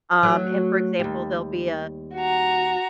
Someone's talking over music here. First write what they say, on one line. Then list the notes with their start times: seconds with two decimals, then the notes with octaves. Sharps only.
Um, and, for example, there'll be a
0.23 F#3 A3
1.00 D#2 G3
2.15 F#4 A#5